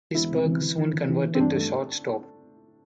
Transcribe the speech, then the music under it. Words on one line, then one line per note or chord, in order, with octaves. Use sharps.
Risberg soon converted to shortstop.
E1 E4
C3
E3
E3
E3
E3
E3
E3
C4
G2 D4
A3